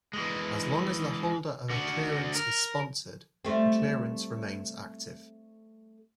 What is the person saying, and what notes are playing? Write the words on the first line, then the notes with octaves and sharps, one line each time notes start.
As long as the holder of a clearance is sponsored, the clearance remains active.
E3 G#3
D3 F#4
A#4
G3 A3 C4